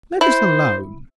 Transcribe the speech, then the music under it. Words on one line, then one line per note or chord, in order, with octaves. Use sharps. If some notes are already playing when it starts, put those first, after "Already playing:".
Let us alone.'
E4 C5